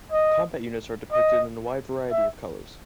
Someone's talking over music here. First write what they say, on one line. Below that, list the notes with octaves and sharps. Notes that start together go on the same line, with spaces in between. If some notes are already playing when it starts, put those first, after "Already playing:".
Combat units are depicted in a wide variety of colours.
D#5
D#5
E5